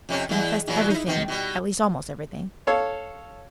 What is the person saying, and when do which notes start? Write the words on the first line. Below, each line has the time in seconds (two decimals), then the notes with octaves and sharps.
I confessed everything--at least, almost everything.
0.09 F2 C3 C#4
0.29 E2 G#3 E4
0.67 A#2 E3 F#3
0.90 D#4 E4
1.06 B2 D#3 C4
1.28 B2 G3
2.67 A4 C#5 F5